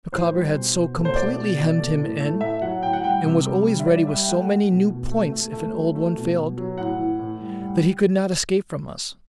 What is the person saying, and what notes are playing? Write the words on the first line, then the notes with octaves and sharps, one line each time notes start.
Micawber had so completely hemmed him in, and was always ready with so many new points if an old one failed, that he could not escape from us.
A2 C5
G3
B2
B2
A3
C5
B2 D5
B2
B2
A3
A2
A3
A2 E5
F#3 F#5
A2 G5
F#5
G3 G5
C3
G3
G3
E5
G3 D5
G3 E5
G5
A3 F#5
A3
B2
B2
A3
A3
A3
F#3
A3
B2
B2
F#3
A2 F#5
E3
A2
G3
G3